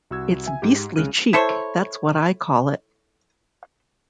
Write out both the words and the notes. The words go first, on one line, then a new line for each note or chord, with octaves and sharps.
It's beastly cheek, that's what I call it.
C2 F#4 E6 G#6
E5 G#5
G#2 G4
C2 C#3 G#3 F6 F#6 D#7
E4 A4 C5 C#5